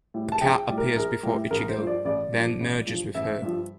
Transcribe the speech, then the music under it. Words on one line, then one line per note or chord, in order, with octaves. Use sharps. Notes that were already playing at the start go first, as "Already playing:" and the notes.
A cat appears before Ichigo, then merges with her.
A2 G3
A5
A#1 G5
A2 G3
A#4
A#1 A#4
A2 G3
A1 A#4
C5
G2 F3
D5
A1 D5
G2 F3
A1
G2 F3
A1 E5
G2 F3